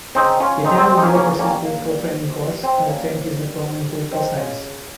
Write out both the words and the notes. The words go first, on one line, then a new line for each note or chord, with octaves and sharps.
He attended the Overseas Political Training Course and obtained his Diploma in Political Science.
C#3 C4 D#4
G#3 C#4 F4
C#3 C4 D#4
C4
G#3 C4
D#4
A#3 C#4
C#3 A#3 C#4
G3 A#3 C#4
C#3 A#3
G3
C3
G3
C3 C4
D#4
G3 A#3 C#4
C3
D#3 G3
C3
D#3 G3
C#3 C4 D#4
G#3 C#4 F4
C#3